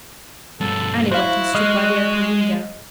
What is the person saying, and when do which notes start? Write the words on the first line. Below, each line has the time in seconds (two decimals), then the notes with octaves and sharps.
Annie went and stood by the open window.
0.61 G2 B2 A4
1.11 E4 F#4 C5 F5
1.55 G#3 D#5 F6 F#6